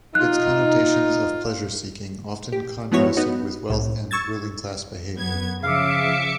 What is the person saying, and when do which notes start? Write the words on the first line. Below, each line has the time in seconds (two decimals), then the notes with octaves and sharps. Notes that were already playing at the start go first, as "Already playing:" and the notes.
Its connotations of pleasure-seeking often contrasted with wealth and ruling class behavior.
0.15 D#4 F4 F#6
2.52 G4
2.91 F3 G#3 B3 E4 F#4 C#5
3.17 B3 D#4 F#4
3.70 C2 A2
4.11 C#6 E6 G#6 A6
5.15 F#2 B3 G#6
5.63 C#3 F3 E5 F5 D6 C#7